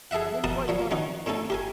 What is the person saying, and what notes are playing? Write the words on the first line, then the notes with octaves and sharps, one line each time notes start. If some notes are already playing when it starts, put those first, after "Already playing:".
I'm really quite done up.
G#4 A4 D#5 E5 F#5
B2 A#4 F#5 A5 A#5 D#6
A#2 F3 F#3
D#3 C#4 D#4 F#4
A2 A3 C#4 D#4 A4
G4 A#4 G#5